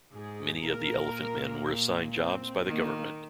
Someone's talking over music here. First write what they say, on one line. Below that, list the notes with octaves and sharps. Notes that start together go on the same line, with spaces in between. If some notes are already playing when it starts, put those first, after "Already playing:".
Many of the Elephantmen were assigned jobs by the government.
G#2 G#4
A#2 A#4
C4
D#3 A#3